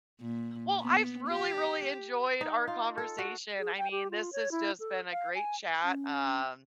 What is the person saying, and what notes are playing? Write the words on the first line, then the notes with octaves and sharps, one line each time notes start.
well I've really, really enjoyed our conversation, I mean this has just been a great chat, um,
A#2
B3
G4
D#4
F4
A4
F#4
G#4
G5
G4
F4
C#5
E4
A4
F5
G#5
C#4